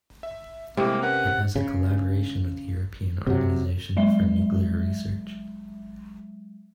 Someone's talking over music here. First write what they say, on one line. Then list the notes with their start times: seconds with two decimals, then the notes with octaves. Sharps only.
It has a collaboration with European Organization for Nuclear Research.
0.23 E5
0.77 A2 C3 G3 G#3 A#3
1.02 C#4 A#4 B4 F#5
1.56 C#3
3.27 C3 F#3
3.97 F#3 G#3 E5 G7